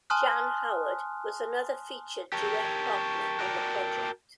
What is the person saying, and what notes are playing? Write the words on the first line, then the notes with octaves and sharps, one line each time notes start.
Jan Howard was another featured duet partner on the project.
G#5 A5 C6 D#6 F6 F#6
G4 A#4 C#5 G5 A5
F#4 A#4 D5